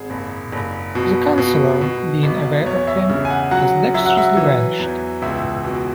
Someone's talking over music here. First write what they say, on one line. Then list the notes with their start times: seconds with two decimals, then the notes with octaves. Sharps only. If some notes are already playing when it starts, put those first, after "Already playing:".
The Chancellor, being aware of him, has dextrously vanished.
Already playing: G#1 G#4
0.10 F#1
0.52 F#1
0.95 B2
1.38 B2
1.81 B2
2.23 B1
2.66 E2 C#5
2.87 E5
3.09 C#3
3.25 G#5
3.30 F#5
3.51 F#3 F#5
3.94 F#3 E5
4.06 F#5
4.17 E5
4.37 E3
4.79 E2
5.22 C#2 E5
5.65 B2